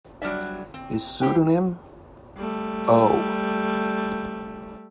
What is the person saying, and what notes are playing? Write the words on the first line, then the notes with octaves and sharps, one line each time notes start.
His pseudonym Oh!
F#3 G3 D4 D5 E5
C4
B3 G4 C5 G5
G3 A3